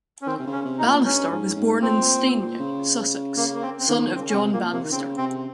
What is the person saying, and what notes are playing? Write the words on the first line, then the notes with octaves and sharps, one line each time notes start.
Bannister was born in Steyning, Sussex, son of John Bannister.
C#4
D#3 C4
C3
C#3
C#4
C3
D#4
A#2
G2 C#4
G#2
G#2
A#2 C4
C#3
C#3 A#3
A#3
C4
C4
D#3 A#3
C#3 C4
C#4
C3 C4
A#2 A#3
C3 A#3
D#3
C#3 C4
C3 C4